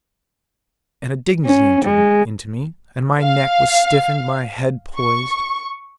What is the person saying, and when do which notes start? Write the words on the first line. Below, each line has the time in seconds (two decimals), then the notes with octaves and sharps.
And a dignity entered into me, and my neck was stiffened, my head poised.
1.45 C#4
1.84 G#3
3.20 F5
4.97 C#6